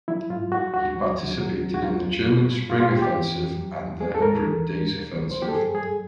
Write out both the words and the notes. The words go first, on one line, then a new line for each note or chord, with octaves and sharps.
He participated in the German spring offensive and the Hundred Days Offensive.
F#3 E4
G#2 F4
G3 F#4
D2 F#4
F#3
D#2
F#3
D2
F#4
F#3 F4
F2
G3
G2
G3 F4
F4
D#2 G4
G4
E3
F2
F#3
E2
G3 G#4
A4
D#2 A#4
E3
D#2
G3
C2
F#3 C5
G4
A4
G2 G#4
G3 G#4